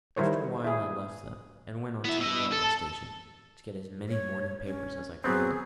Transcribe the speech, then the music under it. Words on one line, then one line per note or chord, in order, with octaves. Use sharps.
After a while I left them, and went on to the railway station to get as many morning papers as I could.
D#3 G3 E4 A#4 C5 C#5
E4 G#4
B3 E4 E5
B2 D#5 E6
A4
A5
C#5
C#4
F#3 B3 C4 G#4